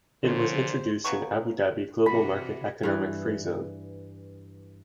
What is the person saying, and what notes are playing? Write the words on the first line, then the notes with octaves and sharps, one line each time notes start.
It was introduced in Abu Dhabi Global Market economic free zone.
A#2 D3 F3 C5 C#5
C#3 F#3 B3 C#6
C3 E3 F#4 B5
G2 E3